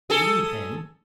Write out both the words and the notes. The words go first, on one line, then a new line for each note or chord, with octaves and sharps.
William Penn.
G#4 A4